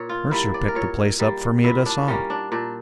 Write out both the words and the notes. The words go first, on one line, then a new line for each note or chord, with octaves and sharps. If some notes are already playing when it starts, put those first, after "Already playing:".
Mercer picked the place up for me at a song.
Already playing: A#2 C#5
F4
G3 A#3 E4
D5
A#4
A#2 C#5
G3 A#3
A#2 E4
D4
G3 A#3 C#4
D4
A#2 D4